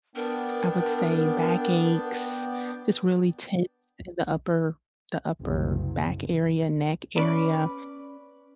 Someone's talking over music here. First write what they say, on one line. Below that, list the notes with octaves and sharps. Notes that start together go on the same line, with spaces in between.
I would say backaches, just really tense in the upper the upper back area, neck area,
B3 D4 A#4 G5
F#1 C2
C#4 B4 D5 B5